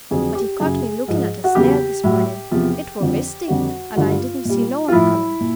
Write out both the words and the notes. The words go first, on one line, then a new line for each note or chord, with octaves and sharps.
But he caught me lookin' at a snare this mornin'--it wor misty, and I didn't see no one comin'.
F2 D3 F#3 G#4
G4
F#2 C#3 F#3 G#4
G#2 F3
F#4
E2 C#3 F#3 G4
A2 F#3
E2 C3 F3
F2 D3 F3
F2 D3 G3 F#4
G2 D3 F#3 F4
A#2 G3
F4
A2 F3 E4
A#2